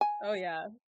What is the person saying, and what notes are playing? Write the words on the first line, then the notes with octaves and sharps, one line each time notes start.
Oh, yeah,
G#5